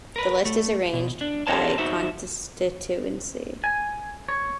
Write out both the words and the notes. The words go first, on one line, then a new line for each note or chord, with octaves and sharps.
The list is arranged by constituency.
A#4 B4
A3
B2
D4
G4 A4 A#4 C5 C#5 A5
D#4 F#4 C5 E5
G#5
C#5